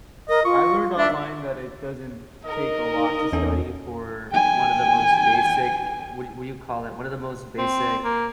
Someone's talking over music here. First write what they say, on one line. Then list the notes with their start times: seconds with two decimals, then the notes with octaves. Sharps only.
I learned online that it doesn't take a lot to study for one of the most basic, what what do you call it, one of the most basic
0.29 A#4 D#5
0.45 F4 C#6
0.97 D4 E5
2.45 D#4 A#4 D#5
3.32 E2 C#4 A4
4.31 G5 G#5
7.58 C4
8.04 A#3